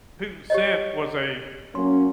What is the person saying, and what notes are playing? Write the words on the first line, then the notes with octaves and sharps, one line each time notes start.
Putin sent was a
G4 C#5 D#5
F#3 A#3 C#4 C6